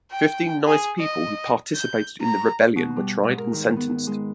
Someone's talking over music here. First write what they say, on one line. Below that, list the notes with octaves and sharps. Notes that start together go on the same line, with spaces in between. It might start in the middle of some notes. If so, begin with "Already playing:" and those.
Fifteen Nice people who participated in the rebellion were tried and sentenced.
G5
G#4
D#5
G6
A#5
B2
G3
G#2
A#4
D#3
B3
G#3